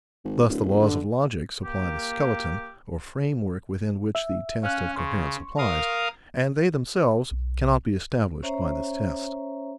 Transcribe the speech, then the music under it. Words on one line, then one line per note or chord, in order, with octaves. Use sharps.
Thus the laws of logic supply the skeleton or framework within which the test of coherence applies, and they themselves cannot be established by this test.
G#1
D1
D3
A#3 G4
E5
C#4 F5 F#6
C#3 C6 C#6
A#4 F5 D#6
B1
C#4 C5 C#5 E5 A#5